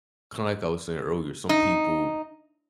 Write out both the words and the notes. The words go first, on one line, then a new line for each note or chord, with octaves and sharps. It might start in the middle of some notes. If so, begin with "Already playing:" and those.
kinda like I was saying earlier, some people
D#4